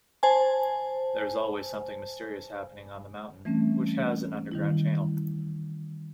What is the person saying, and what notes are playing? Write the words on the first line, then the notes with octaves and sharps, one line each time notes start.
There is always something mysterious happening on the mountain, which has an underground channel.
C5 G#5 A5
E3 G3 A3 C4 C#4
D#3 G3 E4